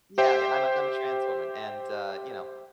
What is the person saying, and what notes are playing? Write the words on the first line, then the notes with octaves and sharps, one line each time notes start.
Yeah, I'm a I'm a trans woman. And, uh, you know,
G4 C5 E5 G5